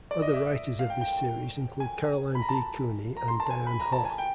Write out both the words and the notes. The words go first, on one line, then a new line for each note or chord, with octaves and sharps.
Other writers of this series include Caroline B. Cooney and Diane Hoh.
D5
D#5
E5
F5
G5
G5
G5
G#5
B5
A#5
A5
A#5
C6
A5
G#5
B5
A#5
A5
G#5
G5